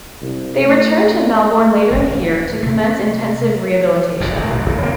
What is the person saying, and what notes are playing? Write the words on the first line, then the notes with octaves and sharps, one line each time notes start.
They returned to Melbourne later in the year to commence intensive rehabilitation.
C2
A3
D1 C2 A#3
C3 A3
F1 F2
D1 D#3
B1 F#2
A1 D2 D3 A#3
D1 C#3 A#3 C4